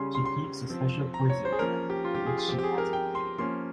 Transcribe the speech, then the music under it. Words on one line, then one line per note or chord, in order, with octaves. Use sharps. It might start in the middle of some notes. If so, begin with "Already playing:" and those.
She keeps a special poison in them, to which she has an immunity.
Already playing: C#3 G3 C#4 C6
C6
C6
F3 C4
A#5
C#5
C5
G#4
F3 A#3 C#4 A#4
G4
F4
G4
G#4
F4
F3 C4 G4
G4
G#4
A#4
G5
C6
F3 A#3 C#4 C6